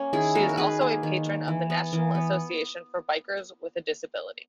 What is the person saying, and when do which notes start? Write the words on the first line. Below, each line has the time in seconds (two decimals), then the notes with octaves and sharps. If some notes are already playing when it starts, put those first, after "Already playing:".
She is also a patron of the National Association for Bikers with a Disability.
Already playing: A#3 C#4
0.13 D#3 E4 G#4
0.35 A#3 F#4 A#4
0.49 A#4
0.57 D#3 G#4 B4
0.81 A#3
1.03 D#3
1.26 A#3
1.48 E3
1.70 B3
1.93 E3
2.15 B3